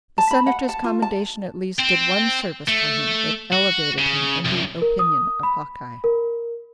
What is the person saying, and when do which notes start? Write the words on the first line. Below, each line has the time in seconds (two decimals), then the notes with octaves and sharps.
The Senator's commendation at least did one service for him, it elevated him in the opinion of Hawkeye.
0.18 A5
0.31 B5
0.47 F#5
0.69 A5
0.84 F4
1.02 A5
1.79 C4
2.68 A3
3.53 F#4
3.99 C#3
4.45 C2 F#2
4.82 A#4
4.99 D#6
5.43 B5
6.04 A#4